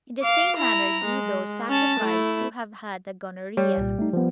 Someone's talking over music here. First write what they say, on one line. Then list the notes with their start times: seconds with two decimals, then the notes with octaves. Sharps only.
In the same manner do those sacrifice who have had the gonorrhea.
0.22 F5 D6
0.57 E4 A#5
1.05 G#3
1.69 C#4 A5
2.00 A3 E4
3.57 G3 C#5
3.78 C2 A#2
3.99 A3 D#4
4.13 F3 B3